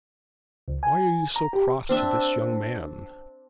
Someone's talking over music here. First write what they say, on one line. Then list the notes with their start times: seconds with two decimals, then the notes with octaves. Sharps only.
'Why are you so cross to this young man?'
0.68 C#2
0.83 G#5
1.36 A#5
1.53 G4
1.89 C4 D4 E5